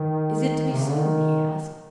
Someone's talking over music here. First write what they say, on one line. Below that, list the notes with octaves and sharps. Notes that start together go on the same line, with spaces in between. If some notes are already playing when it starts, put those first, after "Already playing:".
"Is it to be soon?" he asked.
Already playing: D#3
C3
C#3
D3
D#3